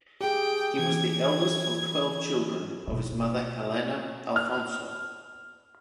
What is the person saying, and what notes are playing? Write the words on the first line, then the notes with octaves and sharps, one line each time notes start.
He was the eldest of twelve children of his mother Helena Alfonso.
G4 G#4 G5
E3 G#6
B2 B3
F6